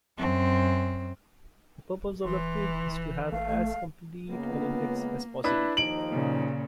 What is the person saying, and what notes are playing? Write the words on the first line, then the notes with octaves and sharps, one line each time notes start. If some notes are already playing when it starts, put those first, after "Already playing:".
The purpose of the page is to have as complete an index as possible.
F#2 C4
D#1 E3 C6
G#1 A3 F5
C#2 A#3 B3
D4 E4 B4
D#2 F3 D#4 D7 F#7
A#2 C#3